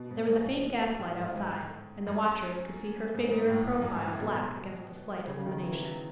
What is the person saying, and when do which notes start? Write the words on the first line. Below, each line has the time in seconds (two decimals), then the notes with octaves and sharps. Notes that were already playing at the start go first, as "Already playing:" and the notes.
There was a faint gaslight outside, and the watchers could see her figure and profile black against the slight illumination.
Already playing: B2
0.11 G#2
0.28 G#2
0.99 A2
1.18 G#2
1.36 G#2
2.07 F#2
3.14 G#2
3.31 G#2
3.50 A2
3.82 F#2
3.95 G#2
4.07 A2
4.21 B2
5.27 C#3
5.39 C#3
5.46 D#3
5.63 E3
5.81 F#3